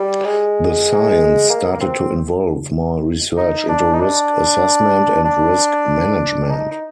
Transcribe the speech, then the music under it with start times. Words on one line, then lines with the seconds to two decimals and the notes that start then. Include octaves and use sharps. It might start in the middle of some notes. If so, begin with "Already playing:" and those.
The science started to involve more research into risk assessment and risk management.
Already playing: G3
0.25 G#3
1.50 A#3
1.73 A#3
1.81 C4
3.37 D#4
3.69 D4
3.93 D#4
4.00 D4
5.25 D4
6.50 D#4
6.71 D#4